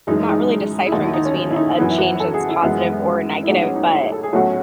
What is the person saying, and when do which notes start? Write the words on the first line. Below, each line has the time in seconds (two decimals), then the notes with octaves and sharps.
Not really deciphering between a change that's positive or negative, but,
0.07 F#1 F#2 E3 G#3 D#4
0.29 D#4
0.86 E4
0.92 D#2 D#3 F#3 D#4
1.04 E4
1.13 D#4
1.25 C#4
1.35 C#4
1.51 E4
1.56 D#4
1.78 F#2 E3 B3 E4
1.90 E4
1.98 F#4
2.20 A4
2.34 G#4
2.49 E4
2.63 F#2 E3 G#3 B3
3.43 E4
3.48 A1 G#2 F#3 B3 D#4
3.61 C#4
3.76 D#4
3.90 E4
4.12 A4
4.23 G#4
4.33 B1 A2 F#3 A3 C#4 F#4